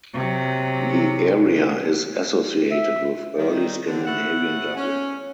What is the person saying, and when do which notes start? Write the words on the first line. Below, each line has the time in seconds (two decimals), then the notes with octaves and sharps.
The area is associated with Early Scandinavian Dublin.
0.14 C3 F#3
2.71 E5
3.36 D#3 G3
3.86 D3 C4
4.06 A2 E5 F#5
4.75 C#4